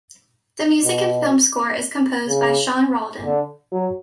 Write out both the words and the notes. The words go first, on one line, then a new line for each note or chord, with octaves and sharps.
The music and film score is composed by Sean Roldan.
B2
C#3
D3
F#3